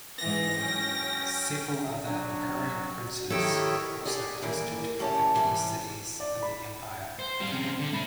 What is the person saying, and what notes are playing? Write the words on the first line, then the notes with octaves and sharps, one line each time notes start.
Several other imperial princes were also posted to other key cities in the empire.
G#2 E3 A#6
F#3 C#4 G5
F#3 D4
F#4
D#3 E4 G4 A4 C#5 G5
G4 G#4 D5 D#5
A2 D#3 E3 G3 A#3
D2 E3 C#4 G4 C#5 A5
G#2 E3 G3
D5
B5
C5
G3 F5
C#3 C4
D3
A3 B5